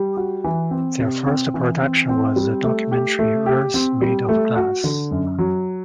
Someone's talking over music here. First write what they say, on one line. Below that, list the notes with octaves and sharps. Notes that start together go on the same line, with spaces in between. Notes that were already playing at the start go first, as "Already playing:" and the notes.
Their first production was the documentary "Earth Made of Glass".
Already playing: G3
F#4
E3
C4
C3
C4
E3
C4
C4
G3
A3
G4
A3
G4
C4
G3
A3
F#4
D3
F#2
F#3